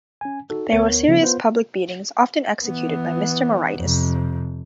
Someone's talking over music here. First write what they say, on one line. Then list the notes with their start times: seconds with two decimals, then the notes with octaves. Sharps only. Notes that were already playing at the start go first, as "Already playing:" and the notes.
There were serious public beatings often executed by Mr. Moraitis.
0.21 C#4 G#5
0.50 D#4 F#4 A4
0.72 D2 B3 A#4 C#5
1.08 C#3 F3 A#3 C4 D4
1.21 B3 F4 B4 C5
2.65 E3 B3
3.77 F2 C3